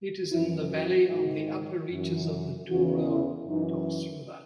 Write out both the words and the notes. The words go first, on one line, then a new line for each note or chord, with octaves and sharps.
It is in the valley of the upper reaches of the Dourados River.
F#2 E3 E4
F#4
G#2 D#3
F#2 E3
E2 C#3 E3 F#4
E4
F#2 E3 D#4